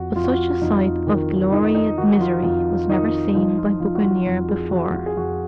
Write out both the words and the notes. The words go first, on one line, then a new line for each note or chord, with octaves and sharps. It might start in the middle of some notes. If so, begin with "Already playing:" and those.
But such a sight of glory and misery was never seen by buccaneer before.
Already playing: F2 F#4
F2 F4
F#4
F4
F2 D#4
D#3
D#3 D#4
D#4
D#3 F#4
F4
F2 F4
D#3 D#4
F3 D#4
F4
F3 F4
F#4
F4
F2
G#4
F3 F#4
F4
G#4
F2 F#4